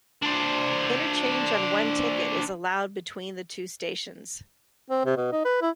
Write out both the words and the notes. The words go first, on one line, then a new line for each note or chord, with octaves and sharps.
Interchange on one ticket is allowed between the two stations.
D4 C5
C4
C3
B2
D#4
B4
E4